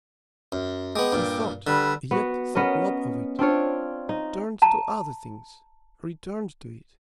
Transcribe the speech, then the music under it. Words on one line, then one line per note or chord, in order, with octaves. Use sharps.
He thought, yet thought not of it; turned to other things--returned to it.
F#2
G#3 B3 G5 D6
G2 A#2
D3 G3 B4 E6
B3 F#4
B3 C#4 A#4 D#5
C4 D4 F4 C#5
D#4
A5 A#5